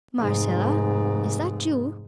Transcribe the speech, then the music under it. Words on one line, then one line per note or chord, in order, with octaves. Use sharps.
"Marcella, is that you?"
F1 G#2